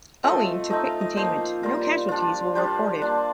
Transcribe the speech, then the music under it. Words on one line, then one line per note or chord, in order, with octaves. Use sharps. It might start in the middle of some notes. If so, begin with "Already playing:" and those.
Owing to quick containment, no casualties were reported.
A3 C4 F4 D#5
A3 C4 D#4 D#5
F5
D#5
F3 A#3 D#4 C5
G3 A#3 F4 A#4
G3 D4 F4
G3 D4 F4 C5
A#3 D4 F4